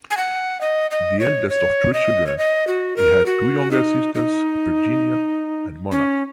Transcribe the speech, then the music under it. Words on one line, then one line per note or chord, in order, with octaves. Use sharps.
The eldest of three children, he had two younger sisters-Virginia and Mona.
G#5
F#5
D#5
D#5
C#5
C#5
D#5
C#5
D#5
F#4
A#4
F#4
D#4
D#4
C#4